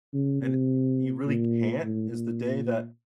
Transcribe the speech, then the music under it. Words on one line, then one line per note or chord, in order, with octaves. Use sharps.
and y you really can't, is the day that
C#3
C3
A#2
A2
A#2